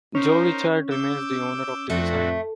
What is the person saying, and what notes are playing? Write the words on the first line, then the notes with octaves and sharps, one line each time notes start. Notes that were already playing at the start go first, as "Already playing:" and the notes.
Jo Richard remains the owner of the design.
C#4 D#4 A#4 C5
D6 E6 G6
F2 A3 C4 D4 F#4